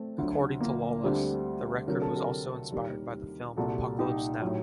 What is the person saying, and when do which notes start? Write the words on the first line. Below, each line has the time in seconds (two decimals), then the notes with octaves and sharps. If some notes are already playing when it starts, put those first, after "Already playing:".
According to Lawless the record was also inspired by the film "Apocalypse Now".
Already playing: A3 C4
0.18 D2 D3 F#3
0.60 A#3
1.03 D2 D3 G3 A3 C4
1.87 D2 C3 F#3 A#4
2.02 A4
2.16 G4 A#4
2.72 D#2 D#3 G3
3.56 C2 A#2 G3 F#4 A4
3.99 D#4 G4
4.41 A2 F#3